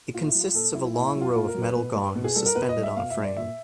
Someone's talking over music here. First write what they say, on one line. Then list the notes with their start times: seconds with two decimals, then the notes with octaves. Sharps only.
It consists of a long row of metal gongs suspended on a frame.
0.14 A#2 F4
0.28 E4
0.35 F#3
0.41 F4
0.54 A#2 A4
0.74 F#3 E4
0.94 A#2 E4
1.07 E4
1.15 F#3
1.21 F4
1.35 A#2 F4
1.48 A#4
1.54 F#3
1.62 B4
1.75 B2
1.95 G3
2.15 B2
2.24 G#4
2.35 G3 A4
2.46 A#4
2.55 B2 B4
2.69 D#5
2.76 G3
2.83 E5
2.96 B2 F5
3.10 E5
3.17 G3
3.24 D5
3.37 A#2 E5